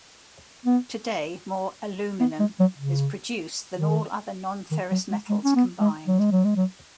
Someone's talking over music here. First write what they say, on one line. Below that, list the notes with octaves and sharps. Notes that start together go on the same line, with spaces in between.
Today, more aluminum is produced than all other non-ferrous metals combined.
B3
B3
G#3
F#3
C#3
D#3
D#3
F#3
G#3
G#3
C#4
B3
G#3
F#3
G#3
F#3
G#3
F#3